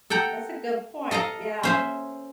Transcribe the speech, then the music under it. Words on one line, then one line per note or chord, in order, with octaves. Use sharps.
that's a good point, yeah,
A4 F#5 G5 A#5
A4 D#5 F5 A#5
C#4 C5 E5